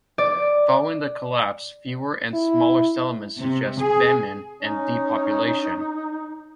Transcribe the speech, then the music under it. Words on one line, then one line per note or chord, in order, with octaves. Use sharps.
Following the collapse, fewer and smaller settlements suggest famine and depopulation.
D5
E4
C3
G#4
C#4 D#4